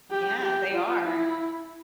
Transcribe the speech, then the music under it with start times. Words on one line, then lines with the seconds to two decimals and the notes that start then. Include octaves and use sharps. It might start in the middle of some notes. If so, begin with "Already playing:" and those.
Yeah, they are.
0.11 G4
0.42 G4
0.73 F4
1.04 E4